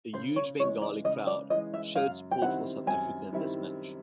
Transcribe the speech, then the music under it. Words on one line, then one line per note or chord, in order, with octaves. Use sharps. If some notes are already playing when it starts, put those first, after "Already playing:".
A huge Bengali crowd showed support for South Africa in this match.
C#3 C5
C#5
E3 G#3 C#5
D5
C#3 D#5
D5
E3 G#3 D#5
E5
F#2 F5
G5
D#3 G3 C4 E4 F#5
F#2 G#5
D#3 G3 C4 E4